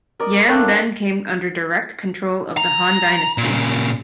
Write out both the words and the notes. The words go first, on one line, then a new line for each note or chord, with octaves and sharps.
Yan then came under direct control of the Han dynasty.
A#4 D5 D#5
A3 A#3 C4 D4
A#5
A#2 C#3